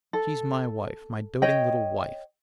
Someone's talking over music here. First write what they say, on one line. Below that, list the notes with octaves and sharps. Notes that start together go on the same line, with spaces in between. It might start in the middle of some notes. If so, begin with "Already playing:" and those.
She's my wife, my doting little wife.
A4
C#5 D#5 G5